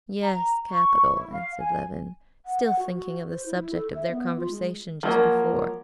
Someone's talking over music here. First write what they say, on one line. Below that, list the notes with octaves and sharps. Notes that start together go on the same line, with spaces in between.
"Yes, capital," answered Levin, still thinking of the subject of their conversation just before.
A#5
C#6
E4
F5
G#5
F#5
F#5
F#4
F#4
C5
E4
E4
A4
E5
B3
F4
G#3
F3 F#3 A#3